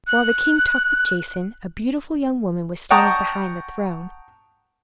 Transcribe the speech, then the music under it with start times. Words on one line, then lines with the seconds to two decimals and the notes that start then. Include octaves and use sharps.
While the king talked with Jason, a beautiful young woman was standing behind the throne.
0.07 F#6
2.91 F#5 G5 A5 A#5 C#6 D#6